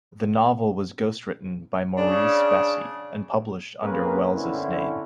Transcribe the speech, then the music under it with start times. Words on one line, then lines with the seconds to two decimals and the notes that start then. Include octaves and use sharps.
The novel was ghostwritten by Maurice Bessy and published under Welles's name.
1.98 C#3 D4
3.83 A#3 C4 C#4 G#4 A#4 B4
4.34 D3 C4 C#4 E4